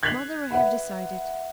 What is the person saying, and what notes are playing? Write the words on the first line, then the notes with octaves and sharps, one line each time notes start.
Mother, I have decided!
F#6 G#6 B6 C7 F7 F#7
B4 E5 F#5 B5